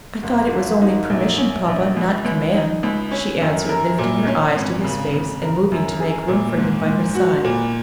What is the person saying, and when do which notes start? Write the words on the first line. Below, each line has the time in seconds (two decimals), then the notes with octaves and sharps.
"I thought it was only permission, papa, not command," she answered, lifting her eyes to his face, and moving to make room for him by her side.
0.23 F#1
0.53 F#1
0.82 D#4
1.10 A#1
1.38 C#4
1.68 A#1
1.96 C#2
2.25 C#2
2.54 D#4
2.83 C#2
3.11 C#4
3.41 F#2
3.69 A#4
3.98 A#2
4.27 C#4
4.56 G#1
4.84 C#3
5.14 C#3
5.42 A#4
5.72 F#2
6.00 G#4
6.28 A#2
6.57 G#2
6.86 G#2
7.15 F#4
7.45 A#2